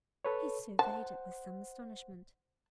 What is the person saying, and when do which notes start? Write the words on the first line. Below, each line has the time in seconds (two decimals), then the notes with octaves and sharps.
He surveyed it with some astonishment.
0.25 A4 B4 C#5
0.79 C5 F#5 A5